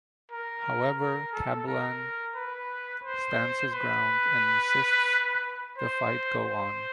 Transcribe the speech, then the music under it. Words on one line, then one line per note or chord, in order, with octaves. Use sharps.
However Kabilan stands his ground and insists the fight go on.
A#4
A#4
A4
A#4
B4
C5
B4
C5
C5